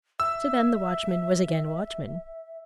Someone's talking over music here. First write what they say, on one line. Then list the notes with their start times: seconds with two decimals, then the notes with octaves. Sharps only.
So then the watchman was again watchman.
0.20 E5 E6